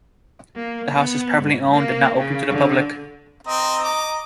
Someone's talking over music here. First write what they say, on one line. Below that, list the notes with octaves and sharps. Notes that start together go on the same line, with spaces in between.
The House is privately owned and not opened to the public.
A#3
B3
G#2
A#3
C#3
D3
C4 D#5 A#5
D6